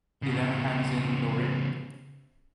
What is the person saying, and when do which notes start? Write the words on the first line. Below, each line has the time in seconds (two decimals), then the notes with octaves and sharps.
He then hands in the writ.
0.22 C#3 B3